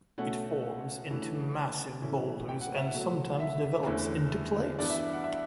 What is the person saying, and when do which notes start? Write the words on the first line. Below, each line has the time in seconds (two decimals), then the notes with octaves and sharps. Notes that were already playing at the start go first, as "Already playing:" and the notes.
It forms into massive boulders and sometimes develops into plates.
0.18 B2 A3 C#4 F#5
1.10 G2 E3 A3 C#4
2.02 A2 E3 A3 C#4
2.49 G5
2.61 F#5
2.75 E5
2.87 F#5
2.94 B2 F#3 A3
3.40 E5
3.86 E2 D3 A3 C#4
4.78 G2 E3 B3 D5
4.90 E5
5.13 F#5
5.24 E5